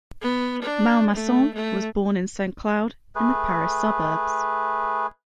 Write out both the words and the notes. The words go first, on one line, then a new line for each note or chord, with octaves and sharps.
Malmasson was born in Saint-Cloud in the Paris suburbs.
B3
D4
A3
A3
A3 G#4 B4